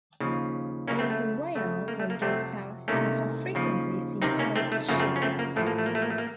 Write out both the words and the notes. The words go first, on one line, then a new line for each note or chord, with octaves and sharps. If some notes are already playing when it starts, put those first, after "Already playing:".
It is the whales that go south that are frequently seen close to shore.
D#2 C#3 F3
C#2 C#3 F#3 A#3 C#4
A3 C4
A3
F2 C#3 A3
A#3
A3
A#3
F2 C3 F#3 A3 C4
C2 C3 D#3 A3 A#3 C#4
D#2 C#3 F3
C#2 C3 D#3 C4 D#4
A#3 C#4
A3 C4
A3
F#2 C#3 F3 A3 A#3
A3 C4
C#4
A3 C4
A#3
A1 A2 F3 A3
A#3
A3
A#3
A3
A#3
A3
A#3